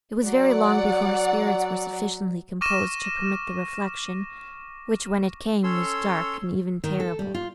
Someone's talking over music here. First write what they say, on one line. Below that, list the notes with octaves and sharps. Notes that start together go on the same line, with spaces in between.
It was very long, before her spirits were sufficiently composed to permit the reflection, which, when it came, was dark and even terrible.
F#3 D5 F#5
C#6 D6 F6 A#6 D#7 E7
C#4 A4 C#5 C6 E6
D#3
A4
G3
F4